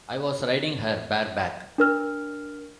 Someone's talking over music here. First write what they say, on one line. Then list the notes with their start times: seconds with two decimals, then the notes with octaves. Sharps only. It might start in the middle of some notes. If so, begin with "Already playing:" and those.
I was riding her bareback...
1.78 D4 A#4 F6